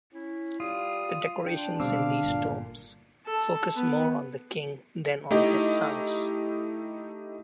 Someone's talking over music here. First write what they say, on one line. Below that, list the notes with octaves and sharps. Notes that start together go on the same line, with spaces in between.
The decorations in these tombs focus more on the King than on his sons.
C#4 E4
G3 F4 D#6
D4 G5
B2 D3 G3 C4 F5 D6 E6
G1 A#2
A4
B3
A3 D#4 E4 G4 D#5